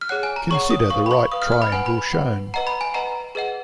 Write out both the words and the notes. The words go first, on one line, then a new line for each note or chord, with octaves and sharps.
Consider the right triangle shown.
F6
G#4 C#5 F#5 F#6
G#5
A#5
G#4 C#5 F#5 C#6
D#6
B4 F5 C#6
B5
C#6
B4 F5 D#6
F6
F6
B5
B4 F#5 G#5
B5
B4 F#5
B4 D#5 F#5 A#5
B5
G#5
B4 D#5 F#5 A#5
G#4 B4 D#5 F#5